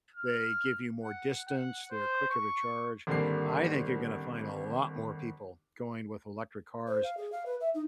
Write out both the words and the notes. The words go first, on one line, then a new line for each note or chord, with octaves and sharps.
they give you more distance, they're quicker to charge, I think you're gonna find a lot more people going with electric cars.
F6
F#5
F#5
C5
C#6
G#1 D3 G3 A#3 C7
C5
F5
G#4
F5
B4
E5
D#4